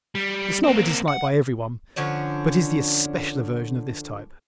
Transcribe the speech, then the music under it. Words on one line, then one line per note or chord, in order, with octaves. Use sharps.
The snob is disliked by every one but is the especial aversion of this type.
G3
A#3 C4
F#5
D3 F3 C#4 D4